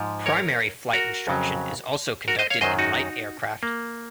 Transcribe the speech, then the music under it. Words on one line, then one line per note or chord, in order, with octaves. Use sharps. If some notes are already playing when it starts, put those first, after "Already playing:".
Primary flight instruction is also conducted in light aircraft.
Already playing: G#2 F3
A#4 C#5
F#4 A#4
F2 C#3 F#3
F#4 A#4
C5 D#5
C#5 F5
F#2 D#3 F#3 C5 D#5
D#4 F#4
A#3